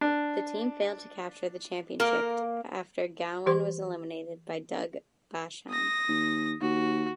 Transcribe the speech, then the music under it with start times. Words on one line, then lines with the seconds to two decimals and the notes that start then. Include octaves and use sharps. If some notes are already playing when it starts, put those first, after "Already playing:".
The team failed to capture the championship after Gowen was eliminated by Doug Basham.
0.01 D4
2.00 A#3 A#4
3.46 E3 G4 C5 C6
5.70 D#6 A#6
6.08 D#2
6.61 D#2 F#4